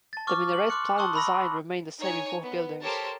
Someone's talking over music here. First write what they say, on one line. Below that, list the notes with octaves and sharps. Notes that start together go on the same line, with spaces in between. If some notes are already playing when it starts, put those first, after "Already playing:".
The minaret plan and design remained the same in both buildings.
A5 A6
C#6 D6 F6
F#7
C6 D6 F6 F#6 C#7
A5 C6 C#6 D#6 E6 F#6
A5 B5 C6 E6 A#6
D#4 C#5 G#5
B3
G4 A4 A#4 C5 C#5 A5